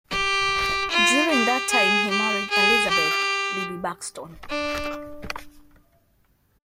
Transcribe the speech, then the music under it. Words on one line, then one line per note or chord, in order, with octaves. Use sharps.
During that time, he married Elizabeth "Libbie" Buxton.
G4
F4
G4
G#4
G4
G#4
G4
D4